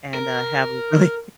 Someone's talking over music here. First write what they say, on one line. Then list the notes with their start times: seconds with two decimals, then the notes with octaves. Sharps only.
and, uh, have a really
0.14 A#4